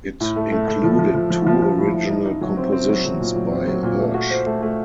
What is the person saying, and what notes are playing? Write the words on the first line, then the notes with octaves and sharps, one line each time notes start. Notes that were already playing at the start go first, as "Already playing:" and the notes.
It included two original compositions by Hersch.
A2
A3
A3
A3
F3
F3
F3
F3
F3
F3
A2
A2
D#4
D#4
F#3
C4
C4
F#3
F#3
A#2
F#3
C4
F#3
A#2
A3
F#4
C5
A3
A3